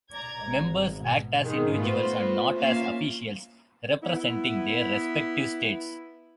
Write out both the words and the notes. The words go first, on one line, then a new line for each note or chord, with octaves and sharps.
Members act as individuals and not as officials representing their respective states.
D5 A#5 G#6
G#1
B2
G#2 D#3 G#3
A3 B3 F4 F#4 B4 C5
A#3 C#4 F4 E5 F5
B3 E4